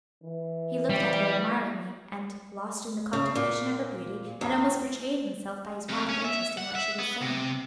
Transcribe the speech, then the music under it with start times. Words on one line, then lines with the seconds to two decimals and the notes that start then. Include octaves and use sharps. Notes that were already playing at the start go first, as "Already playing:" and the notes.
He looked at her admiringly, and, lost in the contemplation of her beauty, had almost betrayed himself by his want of interest in what she was saying.
0.24 E3
0.90 G3
3.13 C#3
3.35 A#2
4.41 E2
5.89 F2
6.09 C#4
6.25 E5
6.58 F#5
6.75 E5
6.99 B3
7.22 C3